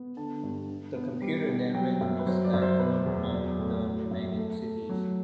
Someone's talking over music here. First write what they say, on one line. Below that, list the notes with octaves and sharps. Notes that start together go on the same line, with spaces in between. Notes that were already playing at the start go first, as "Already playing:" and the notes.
The computer then randomly selects from among the remaining cities.
Already playing: B3
D3 A5
G2
D3
B3
G3
B2
F#3 G5
F#2
B4
F#3 C5
D5
F#2
C5
B2 B4
E2
F#3 D5
A2
F#3
F#2
A3
A3
F#3